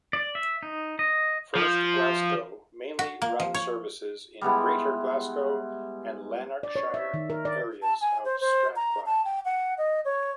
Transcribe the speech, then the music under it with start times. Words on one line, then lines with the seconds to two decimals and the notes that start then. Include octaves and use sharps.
First Glasgow mainly run services in Greater Glasgow and Lanarkshire areas of Strathclyde.
0.13 D5
0.35 E5
0.63 D#4
0.99 D#5
1.55 F3
2.99 F#4
3.22 A#3
3.40 F3
3.54 C#5
4.41 G3 G#3 B3 E4
6.63 D5
6.76 C#5
6.94 E5
7.14 D#3
7.30 A#4
7.45 D5
7.82 A5
8.01 G#5
8.25 C5
8.41 C5
8.76 A#5
9.06 A5
9.25 G5
9.45 F#5
9.78 D#5
10.05 C#5